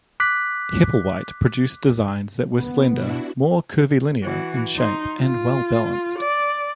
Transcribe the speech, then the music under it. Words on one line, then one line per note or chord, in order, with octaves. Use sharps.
Hepplewhite produced designs that were slender, more curvilinear in shape and well balanced.
D6 F#6 B6
B3
B2 D4 E4 F#4
E3 F#4
D#4 C6
F4
D5